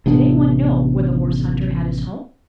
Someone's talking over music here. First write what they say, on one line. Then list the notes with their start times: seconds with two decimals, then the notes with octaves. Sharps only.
Did any one know where the horse-hunter had his home?
0.06 A1 C3 B3 D4